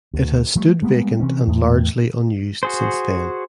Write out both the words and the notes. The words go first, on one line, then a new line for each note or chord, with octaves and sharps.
It has stood vacant and largely unused since then.
D2
F3 G3 A3
G3 G#3 A#3 B3
C3 E3 C4 C#4
E2 A2
F#4 G#4 C5